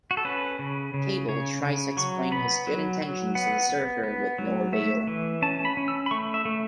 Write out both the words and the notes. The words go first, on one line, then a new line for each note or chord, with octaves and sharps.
Cable tries to explain his good intentions to the Surfer with no avail.
F#4
A4
C#4 B4
C#3
C#3
C#3 C#5
C#3
F#3 C#6
B3 B5
F#3
F#3
B3 F#5
B3
B3
F#3
A3 E5
E3
C#4 A5
B5
C#4
E6
B5
A3 C#6
E5
A3